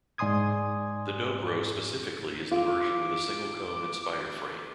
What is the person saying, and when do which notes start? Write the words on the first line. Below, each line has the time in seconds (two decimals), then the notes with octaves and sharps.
The Dobro specifically is the version with a single cone and spider frame.
0.18 G#2 D5 G#5 C6 D#6 G#6
2.51 F4 D6